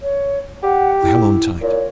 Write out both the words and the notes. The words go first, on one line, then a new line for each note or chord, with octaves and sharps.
I hung on tight.
C#5
G4 F#5
E4
A#2 C#5